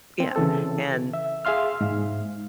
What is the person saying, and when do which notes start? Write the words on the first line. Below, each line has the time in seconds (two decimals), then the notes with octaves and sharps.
Yeah, and,
0.20 C4
0.36 C#3 E3 A4
1.14 E5
1.45 G#4 E5 F5 C6 F6
1.81 G#2